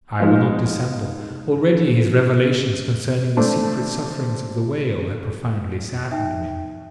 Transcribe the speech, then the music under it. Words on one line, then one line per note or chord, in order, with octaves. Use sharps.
I will not dissemble; already his revelations concerning the secret sufferings of the whale had profoundly saddened me.
F3 G#3 D#4 F4
A3 C4 D4
D#4 E5 G5